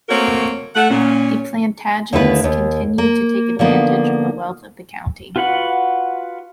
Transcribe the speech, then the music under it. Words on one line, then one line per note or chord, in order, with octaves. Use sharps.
The Plantagenets continued to take advantage of the wealth of the county.
A3 A#3 C4 F#4 A#4 C#5
A3 F#5
A#2 C#4
D#2 D3 D#3 A3 E4 B4
D#2
A#3
D3 F3 A#3 B3 D#4
F4 F#4 B4 F#5 B5